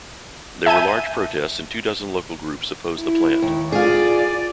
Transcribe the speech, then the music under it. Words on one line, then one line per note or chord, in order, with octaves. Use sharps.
There were large protests and two dozen local groups opposed the plant.
E5 G#5 A5 G6 D#7
E4
D#2
F4 G#4 D5